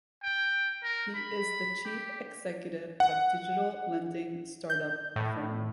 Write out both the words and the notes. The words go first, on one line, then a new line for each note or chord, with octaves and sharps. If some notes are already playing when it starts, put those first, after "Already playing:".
He is the Chief Executive of digital lending start-up Affirm.
G5
A#4
B5
G4
F#5
G6
A2